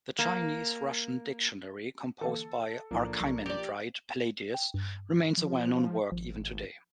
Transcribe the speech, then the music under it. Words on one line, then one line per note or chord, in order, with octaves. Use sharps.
The Chinese-Russian Dictionary composed by Archimandrite Palladius remains a well-known work even today.
A#3
D3 E3 A#3 A4
B1 A2 F3 A#3 D4
B1 C#6
G4 D5
G5
G2
F3
G#1 F3